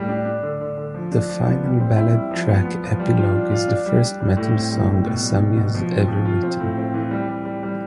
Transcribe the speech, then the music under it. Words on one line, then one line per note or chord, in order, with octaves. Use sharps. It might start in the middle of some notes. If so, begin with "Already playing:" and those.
The final ballad track "Epilogue" is the first metal song Asami has ever written.
Already playing: A2 G3 G4
D4
D4
D3
D3
D3
F3
D4
F3
B3
G3
C4
E4
G3
F3
B3
B3
F3
G3
F4
D4
F4
D4
G3
D4
G3
A2
C4
G3
A2
B2
G3
B2
B2
F3
C4
F3
F4
C4
A2
C4
E3
G3
G3
G3
G3